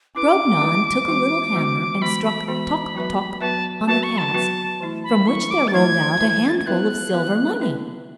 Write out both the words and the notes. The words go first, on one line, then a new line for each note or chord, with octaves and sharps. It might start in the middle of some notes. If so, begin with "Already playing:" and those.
Grognon took a little hammer, and struck "toc, toc," on the cask, from which there rolled out a handful of silver money.
C#4 E4 B4 D6
C#4 E4 B4
E3 G#3 B3 F#4
E3 G#3 B3 F#4
E3 G#3 B3 F#4 B5
B5
E3 G#3 B3 F#4 B5
F#3 B3 F#4 B4 E5
F#3 B3 F#4 B4 E5 A5
F#3 B3 F#4 B4 E5 A5
C#6
A5
F#3 B3 F#4 B4 E5
E3 A3 E4
B5
E3 A3 E4 C#6
D6
A6
E3 A3 E4 G#6
E3 A3 E4
A6
G#6
B3 E4 B4 E5 F#6
B3 E4 B4 E5
B3 E4 B4 E5